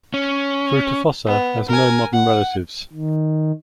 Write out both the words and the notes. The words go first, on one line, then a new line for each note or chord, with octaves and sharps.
"Fruitafossor" has no modern relatives.
C#4
B3
A#4 G#5
F#5
D#3